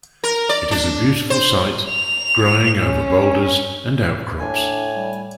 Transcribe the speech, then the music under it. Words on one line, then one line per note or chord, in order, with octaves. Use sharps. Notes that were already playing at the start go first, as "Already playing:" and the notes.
It is a beautiful sight growing over boulders and outcrops.
A#4
D5
D4
C5
F7
C#4
A2 D4 G#5
G3